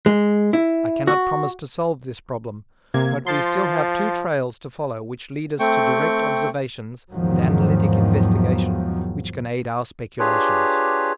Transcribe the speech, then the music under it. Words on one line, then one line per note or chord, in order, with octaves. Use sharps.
I cannot promise to solve this problem, but we still have two trails to follow which lead us to direct observations and analytic investigation which can aid our speculations.
G#3
E4
F#4
C3 A#3 G#6
F3 C6 A6
A3 C4 G5 C#6
E2 G#2 D#3 F3 F#3
D4 F4 G4 G#4 B4 C#5